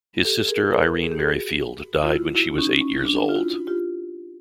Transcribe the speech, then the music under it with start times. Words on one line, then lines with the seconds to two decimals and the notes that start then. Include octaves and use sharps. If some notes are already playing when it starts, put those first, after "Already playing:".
His sister Irene Merryfield died when she was eight years old.
0.25 G4 A4
0.49 G#4 A#4
0.71 G#4 A#4
0.94 A4
1.03 G#4
1.12 G4
1.20 F#4 G#4
2.03 F4
2.11 E4 F#4
2.35 E4 F#4
2.59 C#4 D#4
2.81 C#4
3.05 D4
3.29 F4
3.35 E4 F#4
3.67 F4 G4